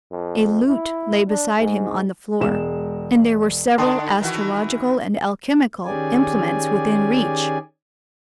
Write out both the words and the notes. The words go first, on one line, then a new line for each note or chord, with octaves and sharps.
A lute lay beside him on the floor, and there were several astrological and alchemical implements within reach.
F2
E4
D4
G#2
E1 G#3 E7
D3 D4 A5 C6 D#6
D#3 E3 F#4
D#3 C#4 G4 G#4 D5 G#5